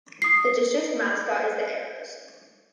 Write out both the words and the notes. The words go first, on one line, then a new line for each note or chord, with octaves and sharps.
The district's mascot is the Arrows.
D#6 C7